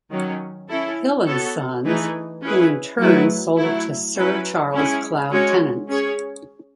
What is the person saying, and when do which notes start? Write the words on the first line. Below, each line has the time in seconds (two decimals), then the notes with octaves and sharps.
Hill and Sons, who in turn sold it to Sir Charles Clow Tennant.
0.10 D#3 F#3 C#4
0.68 C#4 E4 A4
1.26 B3 F#4 A4 C#5
1.85 E3 A3 D#4 G#4 B4
2.41 C#4 E4 G#4 B4
3.00 F#3 A3 E4 G#4 B4
3.57 F#3 A3 E4
4.16 F#3 C#4 E4 B4
4.73 G#3 C#4 E4 G#4
5.30 G#3 C#4 F#4 C#5
5.88 C#4 G#4 C#5